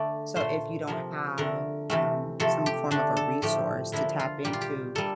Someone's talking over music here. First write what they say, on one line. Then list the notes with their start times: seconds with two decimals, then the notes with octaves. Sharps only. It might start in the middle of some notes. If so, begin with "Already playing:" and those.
so, if you don't have, um, some form of a resource to tap into,
Already playing: D3 A3 D5
0.36 A#2 A3 C5
0.87 C3 F3 A#3
1.38 D3 A3 A#4
1.90 C3 E3 A3
2.40 C3 F3 A3 A4
2.66 G4
2.91 D3 A3 D4
3.17 A4
3.42 A2 F3 A3 G4
3.92 D3 F3 A#3 E4
4.20 F4
4.44 A#2 G3 A#3 G4
4.53 F4
4.61 G4
4.95 G3 A#3 A4